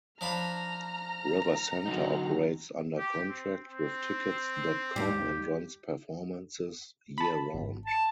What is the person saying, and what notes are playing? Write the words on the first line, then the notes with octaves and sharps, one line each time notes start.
RiverCenter operates under contract with Tickets dot com and runs performances year-round.
F3 D4 A#5 B5 F6
D3 F#3 D#4
G4
C4
C4
D#2 G3 G4
A5 B5
G#1
A5